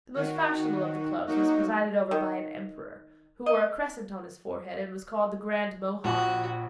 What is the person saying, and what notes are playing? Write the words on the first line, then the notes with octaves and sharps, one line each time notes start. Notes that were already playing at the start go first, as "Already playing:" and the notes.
The most fashionable of the clubs was presided over by an emperor, who wore a crescent on his forehead, and was called the Grand Mohawk.
D#3 F#4
F#3 A#3 D#4 F#4
D#3
D#5
A#1 F#4